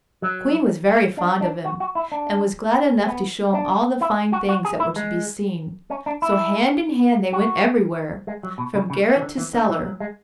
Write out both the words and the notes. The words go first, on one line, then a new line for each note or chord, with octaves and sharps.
The queen was very fond of him, and was glad enough to show him all the fine things that were to be seen; so hand in hand they went everywhere, from garret to cellar.
F#3
D4
D4
F#4
F#4
E4
D4
B3
D4
E4
F#4
F#4
G#4
E4
G#3
C#4
D4
E4
F#4
G#3
F#3
B2
C#3
C#3
E3
D3
E3
D3
E3
F#3
G#3